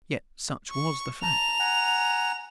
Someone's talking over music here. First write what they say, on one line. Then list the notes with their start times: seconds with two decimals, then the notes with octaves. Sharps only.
Yet such was the fact.
0.71 C#6
1.23 A5 A#5 F7
1.59 F#5 G#5 A#5